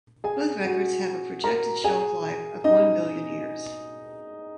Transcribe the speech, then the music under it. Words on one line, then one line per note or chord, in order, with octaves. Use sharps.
Both records have a projected shelf life of one billion years.
G#4 G#5
F#4 F#5
A#4 A#5
G#4 G#5
D#4 D#5